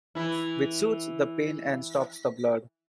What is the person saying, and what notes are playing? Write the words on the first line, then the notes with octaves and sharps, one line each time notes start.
Which soothes the pains and stops the blood.
E3 E4